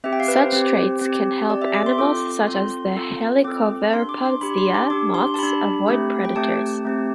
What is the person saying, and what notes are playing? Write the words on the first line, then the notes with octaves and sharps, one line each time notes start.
Such traits can help animals such as the "Helicoverpa zea" moths avoid predators.
C4 G4 E5
G5
F5
B4
C5
C4 G4
C4 G4
C4 G4 D5
E5
D6
C6
C4 F4 A4 D6
C4 F4 A4 C6
C4 F4 A4
C4 F4 A4 D6
D4 G4 C6
D6
C6
D4 G4 B5
C6
D6
D4 G4 D6
C6
A5
D4 G4 B5
A3 C4 G4
G5
A3 C4 G4 A5
A3 C4 G4